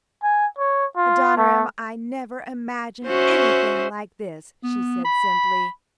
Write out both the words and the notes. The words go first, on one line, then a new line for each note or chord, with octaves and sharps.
"Adoniram, I never imagined anything like this," she said simply.
G#5
C#5
F4
A3
C#4 F#4 C5 E5
B3
B5